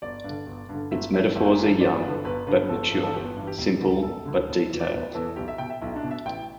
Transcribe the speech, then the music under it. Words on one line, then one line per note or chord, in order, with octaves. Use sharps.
Its metaphors are young, but mature, simple, but detailed.
G1 D5
G2 D3
G1
G2 D3
G1 E5
G2 E3 E5
G1 E5
G2 E3
G1 D5
G2 D3 B4
G1 B4
G2 D3 B4
G1 A4
G2 E3
A4
G1 G4
B3
G2 E3
G4
E1 G4
D2 D3
E1 A4
D2 D3
E1
E2 E3
D5
E1 B4
E2 E3 A4
B1 G4
E5
B2 G5
E5
B1 E4
D4
B2
E5
A1 G5